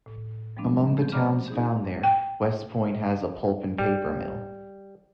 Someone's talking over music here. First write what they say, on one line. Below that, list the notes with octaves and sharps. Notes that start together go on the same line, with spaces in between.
Among the towns found there, West Point has a pulp-and-paper mill.
A2
F3 G3 G#3 B3 C4 D4
A3 C4 G6
C5 D5 A#5 B5 D6 F6
D#4 G#4 G6
G5
G3